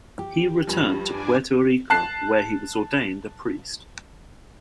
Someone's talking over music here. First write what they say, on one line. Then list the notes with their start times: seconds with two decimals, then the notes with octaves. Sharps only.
He returned to Puerto Rico where he was ordained a priest.
0.19 G4
0.67 G2 F3
1.06 D4 D5 G#5
1.90 A5 F#6 C7